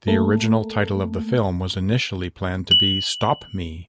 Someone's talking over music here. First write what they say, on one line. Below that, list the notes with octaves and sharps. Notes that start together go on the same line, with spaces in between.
The original title of the film was initially planned to be "Stop Me".
A3 A#3
F#7